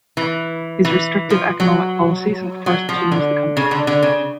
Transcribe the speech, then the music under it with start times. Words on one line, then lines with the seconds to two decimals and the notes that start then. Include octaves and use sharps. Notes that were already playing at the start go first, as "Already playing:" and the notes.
His restrictive economic policies at first doomed the country.
0.17 E3
0.85 E3
1.30 F3
1.60 F#3
2.66 F#3
2.89 F3
3.12 D3
3.57 C#3
3.71 D3
3.87 D3
4.02 C#3